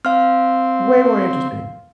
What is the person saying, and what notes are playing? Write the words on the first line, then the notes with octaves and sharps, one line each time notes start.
way more interesting.
C4 F5 F6